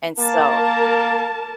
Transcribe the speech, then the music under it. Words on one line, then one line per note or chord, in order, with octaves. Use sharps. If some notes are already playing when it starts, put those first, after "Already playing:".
And so
A#3 A#4 A5